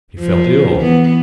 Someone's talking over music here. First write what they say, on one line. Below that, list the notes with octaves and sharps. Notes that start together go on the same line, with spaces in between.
He felt ill.
F3
E3 B3